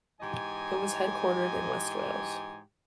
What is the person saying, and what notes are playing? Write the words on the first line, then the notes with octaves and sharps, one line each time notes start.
It is headquartered in west Wales.
G#2 E3 G4 D#5 G#5